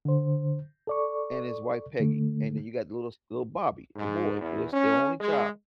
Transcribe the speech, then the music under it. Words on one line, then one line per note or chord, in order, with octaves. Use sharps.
and his wife, Peggy, and then you got the little s little Bobby, the boy. There's their only child.
D3 C5
A4 D5 C#6
D3 A3
G#2
E2
C#4
G#3